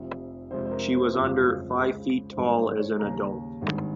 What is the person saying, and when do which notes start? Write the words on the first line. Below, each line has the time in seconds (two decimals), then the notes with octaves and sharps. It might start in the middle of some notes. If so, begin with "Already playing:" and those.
She was under five feet tall as an adult.
Already playing: F1 F2 C3
0.51 F2 C3 F3 G#3 C5
0.66 C5
0.71 A#4
0.92 C5
1.14 G1 F2 C#3 F3 G#3
1.75 C#2 C#3 G#3
2.32 C5
2.36 G#1 G2 D#3 G3 A#4
2.58 C5
2.78 C#5
2.99 D#2 C#3 G3 A#5
3.61 G#1 G2 D#3 G#3